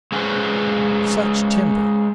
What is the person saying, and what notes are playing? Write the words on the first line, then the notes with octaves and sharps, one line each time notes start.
Such timber!
G#3 C#4 F4 G4 B4 C5